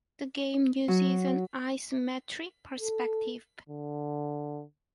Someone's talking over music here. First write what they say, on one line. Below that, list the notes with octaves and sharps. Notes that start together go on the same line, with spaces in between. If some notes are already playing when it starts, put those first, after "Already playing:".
The game uses an isometric perspective.
F#3
A4
D3